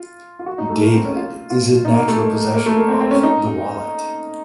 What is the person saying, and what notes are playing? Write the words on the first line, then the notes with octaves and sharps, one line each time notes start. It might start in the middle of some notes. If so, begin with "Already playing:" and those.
David is in natural possession of the wallet.
Already playing: F4
F4
F#4
D#4
A3
A#3
C4
C#4
F4
F4
D#4
A#3
A3
A#3
A3
A#3
C4
C4
C#4
D#4